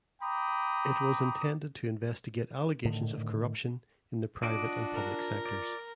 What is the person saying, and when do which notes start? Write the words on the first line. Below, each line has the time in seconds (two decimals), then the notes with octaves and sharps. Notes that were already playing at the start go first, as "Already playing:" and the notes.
It was intended to investigate allegations of corruption in the private and public sectors.
0.22 G5 A#5 B5 D6 D#6
2.85 A2 D3 D#3
4.43 D4 F4 F#4 D#5 D6
4.94 A#4
5.46 D5